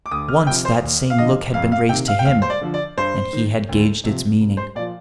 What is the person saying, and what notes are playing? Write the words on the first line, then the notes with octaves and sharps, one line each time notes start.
Once that same look had been raised to him, and he had gauged its meaning.
D6
D2 D#6
F6
C3 F3 G5
C5
D#2
F5
D3 F3 D#5
F2 F5
F5
C3 D#3 G5
F5
G5
D#2 F5
C5
D5
D3 F3
D5
G2 C5
D#3
D2
C3 F3
C2
C5
A#2 F3 D5